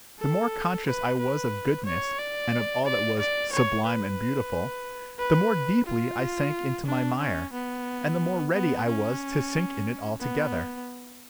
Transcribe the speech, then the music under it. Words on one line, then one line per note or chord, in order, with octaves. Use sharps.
The more conscious I was of goodness and of all that was "sublime and beautiful," the more deeply I sank into my mire and the more ready I was to sink in it altogether.
A4
B4
B4
C#5
D5
D5
D5
C#5
B4
B4
F4
D4
C#4
B3
B3
C#4
B3